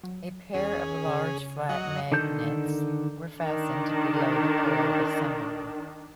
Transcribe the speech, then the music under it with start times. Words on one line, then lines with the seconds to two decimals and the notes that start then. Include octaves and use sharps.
A pair of large flat magnets were fastened below the coil assembly.
0.03 F#3
0.54 E2 C#4 G#4
1.06 C#3
1.69 D1 F#3 D#5 F#5
1.88 F#2
2.12 D3 D#3 A4 G6
3.39 D#3 D4